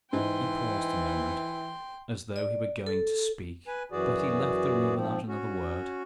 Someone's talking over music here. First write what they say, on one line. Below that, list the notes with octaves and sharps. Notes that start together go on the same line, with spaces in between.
He paused a moment as though he were going to speak, but he left the room without another word.
G#2 E3 G5 C6
D5
A4
B4 G#5
F#2 E3 F#4 G#4 D5
G#2 F3 C4
C#4 F#4